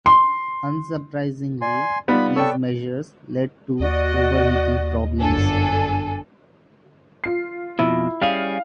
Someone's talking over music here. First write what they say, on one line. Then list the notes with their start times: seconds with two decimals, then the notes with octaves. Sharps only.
Unsurprisingly, these measures led to overheating problems.
0.06 C6
1.61 D5 G#5 C6
2.08 G3 B3 D#4 F4 B5
2.36 A4 C#5 D5 G5 C#6 E6
3.80 D#2 F#4 D5 D#5
5.19 G1 F#2 D4 A4 G#5
7.24 F4 C7
7.79 F2 B2 E4
8.22 G3 C#4 G#4 F5